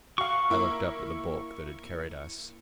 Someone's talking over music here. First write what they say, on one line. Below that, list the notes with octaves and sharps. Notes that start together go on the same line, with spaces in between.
I looked up at the bulk that had carried us.
F#4 F5 C#6
A#3 E4 A#4